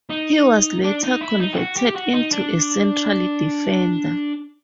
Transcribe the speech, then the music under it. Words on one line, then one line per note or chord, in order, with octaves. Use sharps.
He was later converted into a central defender.
D#4
D4
D#4
E4
D#4
G4
F#4
G4
F#4
D#4
D4